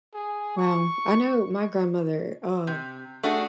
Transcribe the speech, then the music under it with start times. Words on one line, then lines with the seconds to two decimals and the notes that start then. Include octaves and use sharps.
Wow, I know my grandmother, uh
0.14 G#4
0.57 C#6
2.67 C3
3.23 A3 D4 F#4 G#4